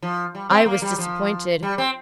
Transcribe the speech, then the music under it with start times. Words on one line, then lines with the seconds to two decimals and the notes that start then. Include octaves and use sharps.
I was disappointed.
0.03 F3
0.35 G3
0.51 C4
0.66 A#3
0.82 G3
0.98 F3
1.63 G3
1.78 C4